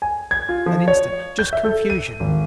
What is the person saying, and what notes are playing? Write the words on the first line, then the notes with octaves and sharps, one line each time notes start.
An instant--just confusion.
G#5
G#6
F4
F3
C#5
G6
E5
A4
D#7
G#1